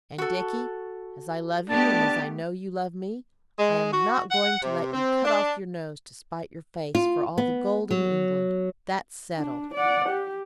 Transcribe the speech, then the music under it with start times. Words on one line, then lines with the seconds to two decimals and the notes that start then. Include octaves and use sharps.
And, Dickie, as I love you and as I know you love me, I am not going to let you cut off your nose to spite your face for all the gold in England. That's settled.
0.18 F#4 A4
1.70 A3 B3 D4 G4 A5
3.57 G#3
3.90 F#4
4.30 F#5
4.62 C3
4.91 C4
5.25 D4
6.95 F4
7.38 B3
7.91 F#3
9.36 D4
9.74 D5 F#5
10.09 G4